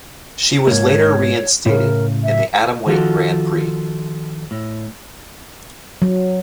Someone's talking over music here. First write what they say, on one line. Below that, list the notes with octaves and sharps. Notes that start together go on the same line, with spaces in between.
She was later reinstated in the Atomweight Grand Prix.
G#2 A#3 C#5
A2 C#3 A#4
E5
D#3 F3 F4 F#4 A4
A2
F#3